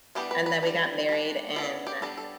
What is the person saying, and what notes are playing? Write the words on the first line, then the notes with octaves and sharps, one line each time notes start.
and then we got married in
E3 G3 B3 D4 G4
B4
B4
G3 D4
G3 D4
E3 B3 D4 D5
G4
G3 B3 D4 A4
A4